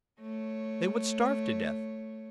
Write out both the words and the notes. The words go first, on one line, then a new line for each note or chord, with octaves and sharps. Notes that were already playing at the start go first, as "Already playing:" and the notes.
They would starve to death.
A3 C#5